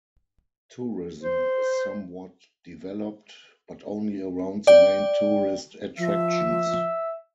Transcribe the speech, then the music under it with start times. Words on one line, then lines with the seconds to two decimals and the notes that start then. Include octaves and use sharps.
Tourism is somewhat developed, but only around the main tourist attractions.
1.23 C5
4.67 D5 G5
5.98 F3 E5